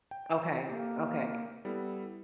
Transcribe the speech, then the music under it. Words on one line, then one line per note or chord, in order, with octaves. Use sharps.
Okay. Okay.
G5
A#3 G4 A4
G3 B3 E4 A4